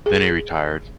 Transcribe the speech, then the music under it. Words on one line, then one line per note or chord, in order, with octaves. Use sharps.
Then he retired.
G#4